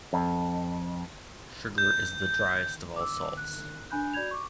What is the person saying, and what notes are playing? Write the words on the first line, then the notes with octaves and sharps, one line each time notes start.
Sugar is the driest of all salts.
F2
G6
D6 E6
F#6
D4 G#5 B5 F#6 G6
F#4 D5 B5 G6 G#6 F7
C#6 D6